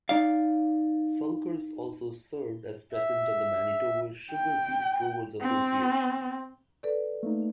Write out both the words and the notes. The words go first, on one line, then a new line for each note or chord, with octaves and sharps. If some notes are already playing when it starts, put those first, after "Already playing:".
Sulkers also served as president of the Manitoba Sugar Beet Growers' Association.
D#4 D5 F5
E5
G5
C4
A4 B4 D5
A3 A#3 D#4